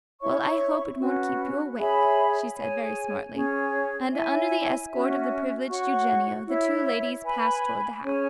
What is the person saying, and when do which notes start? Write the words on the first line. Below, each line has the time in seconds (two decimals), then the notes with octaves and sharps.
"Well, I hope it won't keep you awake!" she said very smartly; and, under the escort of the privileged Eugenio, the two ladies passed toward the house.
0.21 E4 C#5 E5 C#6
0.99 C#4 F#4 B4
1.77 G#4 C#5 E5 B5
2.56 G#4 C#5 G#5
3.34 C#4 G#4 C#5
4.11 E4 C#5 E5 G#5
4.90 C#4 F#4 E5
5.68 F#4 C#5 F#5 C#6
6.46 E4 C#5 E5
7.24 B4 G#5 B5
8.02 C#4 G#4 C#5 G#5